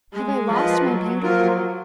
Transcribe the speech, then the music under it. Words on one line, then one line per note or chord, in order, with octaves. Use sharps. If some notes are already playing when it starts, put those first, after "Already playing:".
Have I lost my beauty?
G#3
F3 A#3 F4 B4 D#5
F#3
F3 A#3 F4 A#4